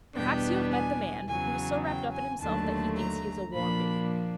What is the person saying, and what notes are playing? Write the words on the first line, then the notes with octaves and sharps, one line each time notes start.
Perhaps you have met the man who is so wrapped up in himself that he thinks he is a warm baby.
E2 B2 G3 B3 D4 G5
G#5
E2 C#3 F#3 G#5
G5
G#5
D#2 D3 F#3 A3 A5
A#5
A#2 F3 A#3 D4 B5